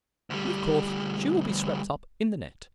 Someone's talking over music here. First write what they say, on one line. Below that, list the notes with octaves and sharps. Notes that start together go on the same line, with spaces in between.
But, of course, she will be swept up in the net.
D2 G3